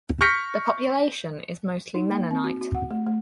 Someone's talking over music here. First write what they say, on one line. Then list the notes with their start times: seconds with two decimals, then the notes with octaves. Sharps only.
The population is mostly Mennonite.
0.21 C#6 F6 G6 A#6 B6 C#7
1.95 D#4
2.11 A#3
2.31 C4
2.44 F#4
2.61 F#4
2.75 F#5
2.91 A3
3.06 A3